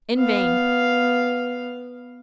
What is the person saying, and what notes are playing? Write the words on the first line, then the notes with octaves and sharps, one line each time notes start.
In vain!
B3 F5